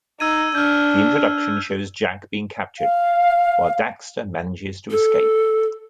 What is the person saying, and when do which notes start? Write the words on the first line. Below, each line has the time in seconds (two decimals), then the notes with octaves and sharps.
The introduction shows Jak being captured, while Daxter manages to escape.
0.20 D#4 E6 G#6 D#7
0.55 D4 F6 G6
2.79 F5
4.91 A4